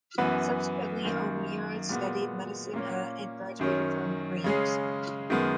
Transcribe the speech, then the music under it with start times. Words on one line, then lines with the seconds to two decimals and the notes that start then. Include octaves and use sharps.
Subsequently, O'Meara studied medicine at, and graduated from, Rheims.
0.18 F#2 E3 B3 F#4 B4
1.03 F#2 D#3 A#3
1.89 A#2 G#3 B3 F#4
2.74 A#2 A#3 C#4
3.59 F#2 D#3 F#3 C#4
4.44 C#3 G#3 C#4 G#4
5.30 F#2 D#3 G#3 B3